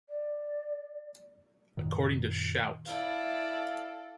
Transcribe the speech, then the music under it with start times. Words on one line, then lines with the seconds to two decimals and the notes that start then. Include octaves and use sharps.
According to Shout!
0.09 D5
1.77 F#2 A#2 D#3
2.87 E4 A4 D5 F5